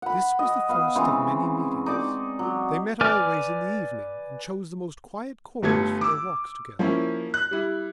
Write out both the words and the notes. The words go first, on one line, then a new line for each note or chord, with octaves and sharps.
This was the first of many meetings; they met always in the evening and chose the most quiet quarters for their walks together.
F#5 B5
D#5
B3 F5
C#3 E3 G#3 C4
D#4 D5 D6
F#3
B4 D5 G#5 D6 F6
G1 G3 A3 B3 A4 G#6
D6 E6
F3 A#3 C#4 E4
F#6
G3 E4